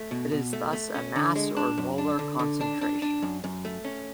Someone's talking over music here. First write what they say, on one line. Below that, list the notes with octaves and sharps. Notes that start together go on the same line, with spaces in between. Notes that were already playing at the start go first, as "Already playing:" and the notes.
It is thus a mass or molar concentration.
Already playing: A3
B2
B2
A3
A3
C#4
D3
G#3
D4
F#2
D4
D3
D3
D4
D4
D4
F#2
F#2
A3
C#4